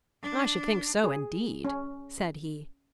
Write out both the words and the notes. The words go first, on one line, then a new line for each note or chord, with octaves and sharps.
"I should think so, indeed," said he.
D4
G#4
C#4